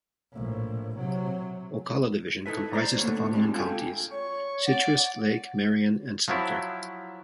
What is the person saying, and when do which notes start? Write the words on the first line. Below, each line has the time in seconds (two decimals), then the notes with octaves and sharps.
Ocala Division comprises the following counties: Citrus, Lake, Marion, and Sumter.
0.32 A#1 A2
0.96 C3 F#3
2.46 D#4 E4 A4 B4 E5
2.73 C5 D5 A#5
2.98 D3 A3 A#3 F4 C#5
3.34 G3 G#3 C4 D4
3.54 E4 F4 A4 A#4 G5 G#5
4.11 C#5 C#6
4.66 D5 F#5
6.28 F3 F#3 E4